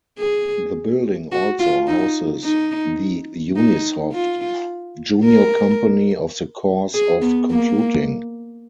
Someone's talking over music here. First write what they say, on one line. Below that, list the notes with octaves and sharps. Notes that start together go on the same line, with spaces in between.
The building also houses the Unisoft, junior company of the course of computing.
G#4
F#4
F4
D#4
D#4
D#4
F4
A#4
G#4
B3
A#3